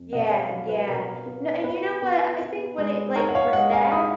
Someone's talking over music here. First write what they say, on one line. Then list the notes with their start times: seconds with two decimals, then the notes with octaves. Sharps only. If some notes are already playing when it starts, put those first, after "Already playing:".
Yeah, yeah. N and you know what, I think with it like with that,
Already playing: F2
0.12 B2 D#5 F#5
0.31 C#5 F5
0.50 F#3
0.69 B4
0.88 B2 A#4
1.26 B3
1.63 B3 B4
2.02 B3
2.40 B3
2.78 G#3
3.15 D#4 A#4 C#5
3.29 F#5
3.35 C#5 F5
3.53 G#3 D#5 F#5
3.73 F5 G#5
3.92 D#4 B5 D#6